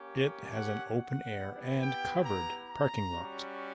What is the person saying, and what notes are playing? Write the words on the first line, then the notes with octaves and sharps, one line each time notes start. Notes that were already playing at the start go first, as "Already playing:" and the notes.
It has an open air and covered parking lot.
Already playing: A#3 C#4 G4
F#5
F#5
B3 E4 G4
G5
A#5
A#5
G3 C#4 F#4